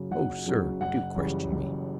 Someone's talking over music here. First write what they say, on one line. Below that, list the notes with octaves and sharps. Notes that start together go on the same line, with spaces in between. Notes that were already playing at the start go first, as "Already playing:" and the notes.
"Oh, sir, do question me!"
Already playing: F#1 F#2 C#3 F#3
F#1 F#5
F#2 C#3 F#3
F#1 F#5
F#2 C#3 E3 G3
F#1